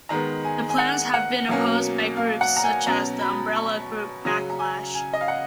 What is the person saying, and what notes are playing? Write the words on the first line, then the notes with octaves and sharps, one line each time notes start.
The plans have been opposed by groups such as the umbrella group Backlash.
D#3 G#3 B3 A#5
G#5
G#5
F#5
F#5
B2 F#3 A#3 C#4
F5
F#5
A#5
G#5
B2 F#3 C#4 A#5
B5
C#6
C#3 F#3 C#4 A#5
A#5
G#5
G#5
D#5
F5
F#5